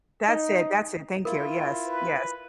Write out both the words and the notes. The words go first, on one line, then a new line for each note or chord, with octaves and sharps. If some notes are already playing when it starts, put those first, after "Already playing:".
That's it. That's it, thank you. Yes, yes.
D#4
E4 F4 A#4
B4